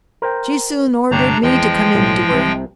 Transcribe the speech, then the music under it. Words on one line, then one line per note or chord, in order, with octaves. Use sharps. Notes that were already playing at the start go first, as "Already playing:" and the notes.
She soon ordered me to come in to her.
A#4 C5 G5
G1 C3 D4 C#5 G5 A#5
E2 F3 G#3 G5
B1 A2
C2 C3